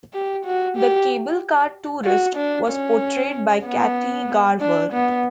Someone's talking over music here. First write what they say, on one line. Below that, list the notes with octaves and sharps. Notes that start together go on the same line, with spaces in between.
The Cable car tourist was portrayed by Kathy Garver.
G4
F#4
G4
F#4
D4
C#4
B3
D4
B3